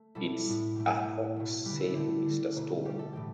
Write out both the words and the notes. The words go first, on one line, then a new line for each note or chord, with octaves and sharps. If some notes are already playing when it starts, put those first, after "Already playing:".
"It's a hoax," said Mr. Stone.
Already playing: A3
B2 G3 E4 A4
A2 G3 E4
B2 A3 G4
A2 A3
B2 A3
D3 G3 G4 B4
E4 A4
D3 A3 G4
D3 G3
B2 A3
B2 G3 G4
A4
A2 E3 A3 G4